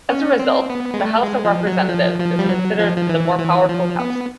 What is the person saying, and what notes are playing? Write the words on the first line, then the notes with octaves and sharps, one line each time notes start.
As a result, the House of Representatives is considered the more powerful house.
C#4
C4
B3
G#3
A3
G#3
F3
F#3
F3
F3
G3
F#3
F3
F3
E3
E3
F3
B3